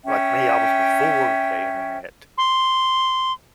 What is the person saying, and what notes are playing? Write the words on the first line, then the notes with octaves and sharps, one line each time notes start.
like me, I was before the internet,
C#4 E5 G5
C6